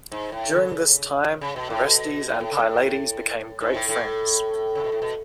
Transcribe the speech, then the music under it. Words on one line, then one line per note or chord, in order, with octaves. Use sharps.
During this time, Orestes and Pylades became great friends.
G#2
A2
D#3
C#3
C#3
B2
A2
B2
A2
A2
C#3
A2
G#2
A2
A2
C#3
B2
A2
B2